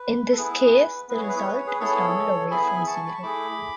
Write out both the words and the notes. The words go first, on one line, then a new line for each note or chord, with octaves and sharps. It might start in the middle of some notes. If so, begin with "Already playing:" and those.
In this case, the result is rounded away from zero.
Already playing: B4
A4
B3 E4 G#4 B4
B3 E4 G#4 B4
C#5
B4
C#5
B4
C#5
G#4 B4
B3 E4 G#4 A4 C#5
B3 E4 G#4 G#5 B5
A5 C#6
B5
C#6
A3 E4 G#4 B5 D6